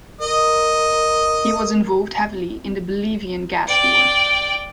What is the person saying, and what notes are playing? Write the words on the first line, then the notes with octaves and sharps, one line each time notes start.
He was involved heavily in the Bolivian Gas War.
A#4 D#5
D5 G5